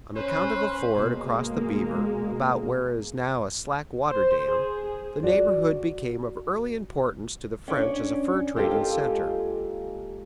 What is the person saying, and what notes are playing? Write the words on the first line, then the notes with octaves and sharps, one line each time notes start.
On account of a ford across the Beaver, about where is now a slack-water dam, the neighborhood became of early importance to the French as a fur-trading center.
C#4 B4 C5
B2 G#3 A#3
C5
G#4
F#4 D5
C#4 D4 C#5
G#3 A#3 F4 G4 A4